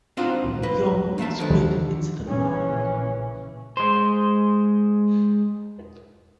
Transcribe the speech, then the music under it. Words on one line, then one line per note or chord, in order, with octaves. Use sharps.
Your woman's wit hits the mark.
C4 D4 D#4 F4 F#4 C5
B4 D#5
E2 A#3 E5 A5
D3 D#3 F3
A#1 C#3 E3 C#4
G#3 C5